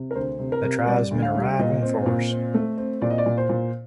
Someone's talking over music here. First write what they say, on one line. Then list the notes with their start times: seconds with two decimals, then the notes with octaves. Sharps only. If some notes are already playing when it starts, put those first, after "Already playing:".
The tribesmen arrive in force.
Already playing: C3
0.11 A#4
0.15 D2 C5
0.39 C3
0.52 A#4
0.64 C3
0.87 G3 D5
1.11 D2
1.22 F5
1.35 G3
1.59 A#2 D#5
1.82 C4
2.06 A#2
2.31 C4
2.54 A3
2.77 C4
3.02 A#2 D5
3.10 D#5
3.18 D5
3.26 A#2
3.38 C5
3.49 A#2